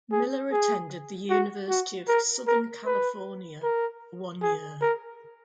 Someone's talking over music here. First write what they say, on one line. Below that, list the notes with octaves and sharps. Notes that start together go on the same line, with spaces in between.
Miller attended the University of Southern California for one year.
G#4
G#4
F#4
F#4
A#4
A#4
B4
A#4
G#4
A#4